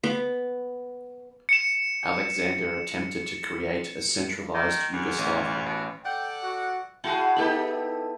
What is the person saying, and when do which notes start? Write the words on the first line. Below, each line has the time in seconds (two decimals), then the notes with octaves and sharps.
Alexander attempted to create a centralised Yugoslavia.
0.04 B3
1.49 C#7 E7
4.55 D#3
4.93 E2
5.19 A1
5.66 B2
6.05 A4 D5 F#5 G5
6.43 F#4
7.04 E4 F#4 G#4 F#5 G5 A5
7.36 B3 D#4 E4 G4 A4 B5